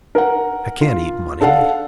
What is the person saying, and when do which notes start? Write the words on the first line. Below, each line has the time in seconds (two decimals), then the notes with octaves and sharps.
I can't eat money!
0.15 A#4 F#5
0.81 F4
1.40 D4 A4 F5 F#5